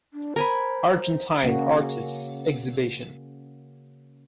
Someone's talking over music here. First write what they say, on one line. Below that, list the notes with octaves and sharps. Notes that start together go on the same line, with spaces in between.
Argentine Artists Exhibition.
D4
A#4 C5 G#5 B5
C#3 A#3 C#4 F#4